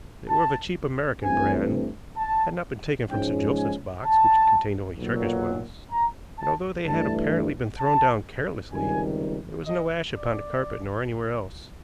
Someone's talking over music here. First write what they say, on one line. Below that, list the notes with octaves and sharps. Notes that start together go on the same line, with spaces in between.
They were of a cheap American brand, had not been taken from Sir Joseph's box, which contained only Turkish ones, and, although they had apparently been thrown down carelessly, there was no ash upon the carpet nor anywhere else.
A5
G2 E3 A3 C4 G#5
A5
G#2 F3 G#3 C#4 G5
G#5
A5
B1 A#2 F#3
A#5
A5
G2 E3 A3 D4 A5
A5
C#2 C3 D#3 G3 G#5
D#5
D5